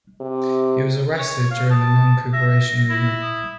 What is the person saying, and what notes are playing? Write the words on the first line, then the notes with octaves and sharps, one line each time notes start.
He was arrested during the Non-Cooperation Movement.
C3
C#5
F5
A5 D#6
E5 A#6
E4
D#6